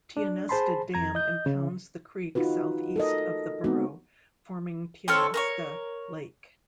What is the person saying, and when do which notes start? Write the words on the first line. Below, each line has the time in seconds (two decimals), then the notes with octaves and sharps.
Tionesta Dam impounds the creek southeast of the borough, forming Tionesta Lake.
0.17 D4
0.49 G#4 C5 A5 B5 C6
0.94 F2 A#5 G#6
1.15 D#5 G6
1.46 C#3
2.35 D#4 F4 F#4 B4
2.96 A4 A#4 D#5
3.64 G#3 B3 C4 D#4 F#4
5.08 C4 A4 C#5 F6
5.34 A#4 C5 C#5